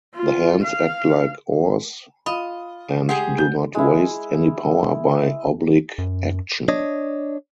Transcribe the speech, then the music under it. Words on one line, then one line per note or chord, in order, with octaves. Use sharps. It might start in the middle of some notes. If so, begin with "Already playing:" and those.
The hands act like oars, and do not waste any power by oblique action.
F4
F5
F4 D#5 B5
G#3 G4 G#4 F#5
G6
G#3 E4
F#2
D4 C#5 D#5